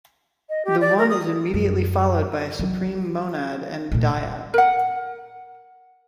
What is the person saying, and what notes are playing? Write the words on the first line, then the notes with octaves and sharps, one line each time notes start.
The One is immediately followed by a supreme monad and dyad.
D#5
G4
D5
A#4
D#6
F#2
F#3
A#2 A3
A#4 F#5